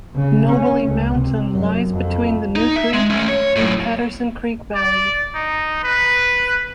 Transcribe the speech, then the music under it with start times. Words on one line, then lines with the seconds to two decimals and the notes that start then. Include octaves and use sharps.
Knobly Mountain lies between the New Creek and Patterson Creek valleys.
0.15 C#3
0.49 C#4
0.86 C#2
1.16 C3
1.54 F#2
1.91 F2
2.56 D#4
2.76 E5
2.93 G#3
3.10 A3 C#4
3.28 C#5
3.56 F#2 A2
4.75 D5
5.35 D#4
5.84 B4